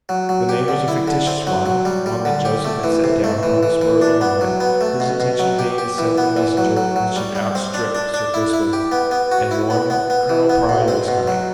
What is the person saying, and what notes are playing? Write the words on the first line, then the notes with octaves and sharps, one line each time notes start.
The name was a fictitious one--one that Joseph had set down upon the spur of the moment, his intention being to send a messenger that should outstrip Sir Crispin, and warn Colonel Pride of his coming.
F#3
F#3
G4
D3
E4
D3
C4
F#3
F#3
G3
G3
D3
G4
A3
E3
C3
A3
E3
E3
E3
D4
B3
F#3
B3
A3
B2
B2
F#3
G4
G4
E3
B3
E3
F#3
F#3
F#3
G3
G3
C4
D4
D4
D4
E4
E4
G4
B3
B3
F#4
E4
B3
B3
B3
E3
B3
B2
C4
B2
F#3